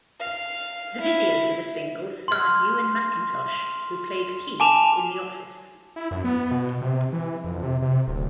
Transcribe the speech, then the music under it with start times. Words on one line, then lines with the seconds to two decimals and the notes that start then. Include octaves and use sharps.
The video for the single starred Ewen Macintosh, who played Keith in "The Office".
0.20 F5
1.01 E4
2.28 C6 F6
4.60 G#5 A5 D6 E7 F7
5.96 E4
6.11 F#2
6.24 B3
6.51 B2
6.82 C3
7.13 E3
7.44 F2
7.63 C3
7.82 C3
8.07 D1